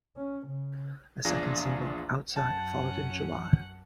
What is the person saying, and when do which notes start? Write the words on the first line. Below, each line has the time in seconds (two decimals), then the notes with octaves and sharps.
A second single, "Out-Side", followed in July.
0.17 C#4
0.47 C#3
1.25 A#1 E2 D4 F4 G#4 A#6
2.36 F#2 C#4 F#5 A5